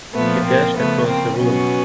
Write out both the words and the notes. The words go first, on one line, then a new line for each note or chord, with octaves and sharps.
He dashed across the room.
A#2 F3 A3 B3
A#3 C4
C#3 F3 A3 B3
A#3 C4
B2 F#3 B3 C#4